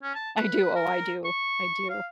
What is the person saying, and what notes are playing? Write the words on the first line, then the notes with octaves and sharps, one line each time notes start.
I do. Oh, I do, I do.
C#4
A5
B4
A#4
C#6
F5